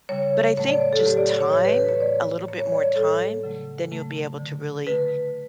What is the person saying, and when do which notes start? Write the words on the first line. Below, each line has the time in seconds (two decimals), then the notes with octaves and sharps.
But I think just time, a little bit more time, then you'll be able to really
0.09 C#3 G3 C#5
0.57 A2 F#3 A3 C#5
0.69 D5
0.81 C#5
0.93 A4
1.05 A2 F#3 A3 G4
1.17 D5
1.29 C#5
1.41 C#5
1.53 A2 E3 A3 C#5
1.65 B4
1.89 C#5
2.00 A2 E3 A3 D5
2.48 A2 G3 C#5
2.60 C#5
2.72 D5
2.84 C#5
2.96 A2 G3 A4
3.43 C#3 F#3 A3
3.91 C#3 F#3 A3
4.38 D3 A3
4.87 D3 A3 B4